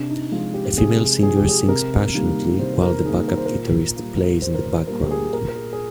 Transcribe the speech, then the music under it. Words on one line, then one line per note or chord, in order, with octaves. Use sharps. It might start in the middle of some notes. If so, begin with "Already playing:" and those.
A female singer sings passionately while the backup guitarist plays in the background.
Already playing: C3 D4
D#4
F3 G#3 F4
G4
C3 G#4
F3 G#3 G#4
G4
G#4
C3 A#4
D#3 G3 A#3
C3 C5
A#4
D#3 G3 A#3 G#4
A#4
C5
A#2 A#4
G3 A#3
A#2 C5
A#4
C5
G3 A#3 A#4
G4
G#4
A#2 A#4
A#4
G#4
G#4